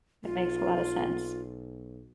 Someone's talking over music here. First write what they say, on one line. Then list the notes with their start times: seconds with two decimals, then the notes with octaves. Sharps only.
That makes a lotta sense.
0.24 B1 F4